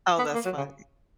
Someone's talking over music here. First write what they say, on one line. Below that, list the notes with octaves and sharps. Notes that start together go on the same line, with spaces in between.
Oh, that's funny.
B3
A#3
F#3
C#3